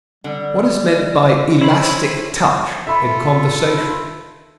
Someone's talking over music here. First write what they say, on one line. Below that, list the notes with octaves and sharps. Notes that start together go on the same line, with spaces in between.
What is meant by "elastic touch" in conversation?
D3 G3
D5 D#5
E4 C5 C#5 B5
F4 A4 E5 B5